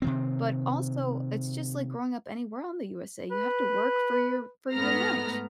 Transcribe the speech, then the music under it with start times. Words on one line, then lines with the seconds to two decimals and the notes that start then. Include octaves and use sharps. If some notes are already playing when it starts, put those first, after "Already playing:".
but also, it's just like growing up anywhere on the USA, you have to work for your for your lunch.
0.02 C3 D#3 C4
3.31 B4
4.72 G#2 A3 B3 A#5 F6 A#6